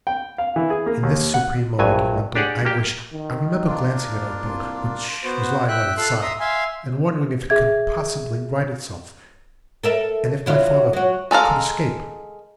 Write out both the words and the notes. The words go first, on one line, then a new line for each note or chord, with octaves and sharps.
In this supreme moment of mental anguish, I remember glancing at our boat, which was lying on its side, and wondering if it could possibly right itself, and if my father could escape.
G5
F5
E3
G#4
A#3
D#2
F#5
A#1 G2 F#3 G#5
D4 G4 G#4 D5 F#5
A#3 G4 G5
D#3
A#3 D4 F4
C2
B3 F#4 C5
E5 G5 F#6
F4 A4 F5 C6 E6 F#6
E5 A#5 C6 D#6
E5 F5 G#5 C6
G#4 E5 G#6
A4 A#4 E5
F#3 E4 F4
F#3 F#4
G#3 A4 A#4 F5